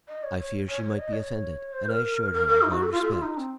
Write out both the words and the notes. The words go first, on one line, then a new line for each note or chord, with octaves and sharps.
I feared she might be offended, and I assured her of my respect.
D#5
C#5
C#5
C#5
C#5
D#5
C#5
C5
A#4
A#4
A#4
D#4
F#4
A4
F4
A4
F4
D#4
C4